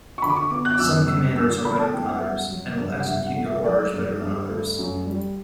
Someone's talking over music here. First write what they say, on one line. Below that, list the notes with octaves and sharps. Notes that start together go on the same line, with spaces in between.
Some commanders are better than others and will execute your orders better than others.
C#6
D3 B5
D6
C#6
B3 D6
F#6
D6
F#2 E6
G3 E6
D3 E6
B3 B5
A5
F#2 G5
F#5
E5
G3
F#5
F#3
G2
F#5
G2 E5
F#5
A3
E5
F#3 D5
G2
G2
A3
F#2
G3